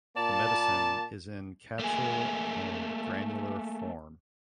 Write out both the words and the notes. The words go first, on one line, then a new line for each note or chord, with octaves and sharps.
The medicine is in capsule and granular form.
A#2 A#3 D5 A5
A3 A#3 G#4